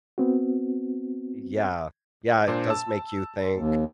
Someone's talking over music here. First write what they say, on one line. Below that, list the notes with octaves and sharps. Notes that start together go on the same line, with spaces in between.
Yeah. Yeah, it does make you think,
B3 C4 F#4
A#2 D4 C5
A5 E6
D#2